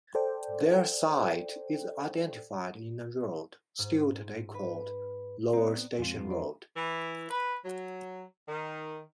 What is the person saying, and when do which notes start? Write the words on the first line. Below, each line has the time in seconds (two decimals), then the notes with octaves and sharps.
Their site is identified in a road still today called Lower Station Road.
0.15 A4 C5 D5 G5
3.79 G#2
4.54 B4
5.53 B3 C4 D5 A#5
5.99 F2 G#3 C4 F4
6.31 A#4 C5 D5
6.76 E3
7.30 B4
7.65 F#3
8.48 D#3